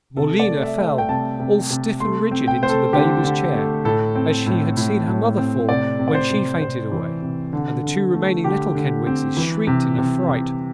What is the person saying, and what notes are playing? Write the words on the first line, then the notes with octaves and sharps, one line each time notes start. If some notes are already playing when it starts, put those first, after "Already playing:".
Morleena fell, all stiff and rigid, into the baby's chair, as she had seen her mother fall when she fainted away, and the two remaining little Kenwigses shrieked in affright.
C3 A4
D5
A3
E5
A3
G5
C3 A5
C3
C3
A3 C6
C4
G5
A3 C5
A4
D3 G4
D3
A3
A2 A4
C4
A2
A2
A2
C4
C3 D5
C3
D5
C5
C3
C3 C5
E3
C3
D3
D3
A3
D3 G4
D3
C4
E3
C3
C3
C3